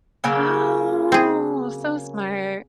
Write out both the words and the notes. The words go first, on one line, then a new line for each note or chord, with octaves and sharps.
Oh, so smart.
C#3 F#3 A#3
C4 G#4